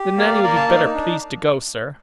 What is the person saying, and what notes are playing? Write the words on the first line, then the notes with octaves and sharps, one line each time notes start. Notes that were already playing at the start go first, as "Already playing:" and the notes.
"Then Nanny would be better pleased to go, sir."
Already playing: G4
A#3 D5 F5
A#3 A#4 D5
F5 A5
D#4 D5 F5
D4